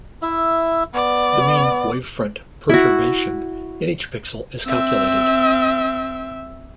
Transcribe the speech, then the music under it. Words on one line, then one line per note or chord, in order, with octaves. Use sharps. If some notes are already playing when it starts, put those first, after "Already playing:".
The mean wavefront perturbation in each pixel is calculated.
E4 E5
B3 D5
E4 F#4
C4 E5